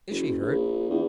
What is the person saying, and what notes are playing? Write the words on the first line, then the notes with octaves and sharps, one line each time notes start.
"Is she hurt?"
F#1
A#1
E2